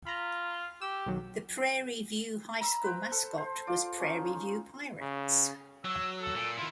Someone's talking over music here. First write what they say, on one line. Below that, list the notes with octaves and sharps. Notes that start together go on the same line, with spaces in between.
The Prairie View High School mascot was Prairie View Pirates.
F4 A#5 B5
G4 E6
B1 D#3 F#3
A#5 B5 E6
B4 C5 G5
A4
C5
F4 D5
C#4 D#4 F4
C#3
F#3 E6
A4
A#2
D#3 E4 F4